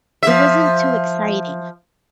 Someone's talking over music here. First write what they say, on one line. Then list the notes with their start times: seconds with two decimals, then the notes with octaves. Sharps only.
it wasn't too exciting.
0.23 F3 E5